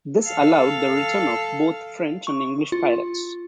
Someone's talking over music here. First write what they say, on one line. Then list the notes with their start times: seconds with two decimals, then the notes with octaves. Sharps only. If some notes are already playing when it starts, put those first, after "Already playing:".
This allowed the return of both French and English pirates.
0.23 A4 F5
2.27 C#6
2.72 F4